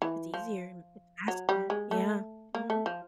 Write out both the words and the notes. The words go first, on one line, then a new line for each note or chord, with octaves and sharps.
It's easier and it's faster. Yeah. Mhm.
E3
F3
F#3
G3
G#3
A3
A#3
A3
F3